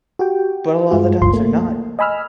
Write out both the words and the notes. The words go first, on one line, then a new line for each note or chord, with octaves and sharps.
But a lotta the times they're not.
F#4 G4 G5
G2 G#3 F4 F#4
G1 C#2 G2 F4 C6
A3 A#3
D#5 G#5 B5 E6 F6